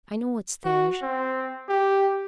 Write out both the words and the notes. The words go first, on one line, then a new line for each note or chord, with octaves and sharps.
I know what's there.
F#4
C4
G4